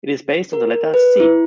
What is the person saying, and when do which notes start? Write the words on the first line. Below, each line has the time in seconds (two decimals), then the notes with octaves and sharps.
It is based on the letter "c".
0.53 A#4
0.94 B4
1.20 E4